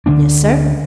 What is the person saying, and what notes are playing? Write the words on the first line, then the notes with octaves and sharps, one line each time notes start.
"Yes, sir."
D2 D3 A#3 D4